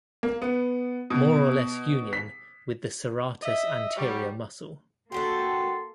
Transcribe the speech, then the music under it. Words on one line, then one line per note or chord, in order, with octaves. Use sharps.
More or less union with the serratus anterior muscle.
A#3
B3
B2
B6
D#5 E5
F#3 G3
A#3 D4 F#4 G4 A4 G5 C6